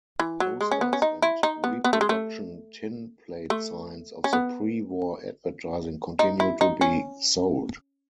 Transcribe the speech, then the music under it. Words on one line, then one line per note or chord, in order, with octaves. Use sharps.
Posters and reproduction tin-plate signs of the pre-war advertising continue to be sold.
E3
F#3
G#3
C#4
B3
C#4
D#4
E4
D#4
B3
B3
A3
G#3
A3
A3
C#4
B3
D#4
E4
D#4
C#4